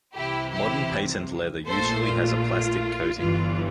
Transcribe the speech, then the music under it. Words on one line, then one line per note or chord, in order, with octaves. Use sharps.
Modern patent leather usually has a plastic coating.
C2 C3 E3 E4 G4
E4 G4
A#1 A#2 A3 A4 C5
F4
G1 G2 E3 G3 F4